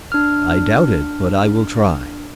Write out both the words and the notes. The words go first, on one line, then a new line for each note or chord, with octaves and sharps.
"I doubt it, but I will try."
D4 F6